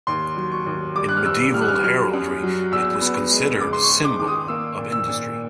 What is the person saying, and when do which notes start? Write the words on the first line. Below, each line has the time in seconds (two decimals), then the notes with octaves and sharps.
In medieval heraldry it was considered a symbol of industry.
0.07 D#2 C6
0.37 F#3
0.51 C#6
0.66 D#2
0.96 G3 D6
1.09 F#6
1.17 F6
1.25 G2 E6
1.54 G3 F6
1.61 F#6
1.68 F6
1.84 F#3 F6
2.13 F#2
2.43 F#3
2.72 E2 E6
3.01 B3
3.31 G#3
3.61 C#2 D6
3.73 C6
3.83 C#6
3.90 C#2
4.04 D6
4.19 D#3 D6
4.27 D#6
4.48 A#3 E6
4.78 A#2
4.92 E6
5.08 A#2